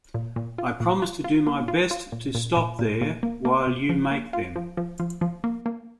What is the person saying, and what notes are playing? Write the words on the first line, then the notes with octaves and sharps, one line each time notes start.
I promise to do my best to stop there while you make them.
A#2
A#2
F4
A#2
F4
F4
A#3
F4
F4
A#2
A#2
A#2
A#2
A#2
A#3
A#3
C3
F3
A#3
F4
F3
F3
F3
F3
A#3
A#3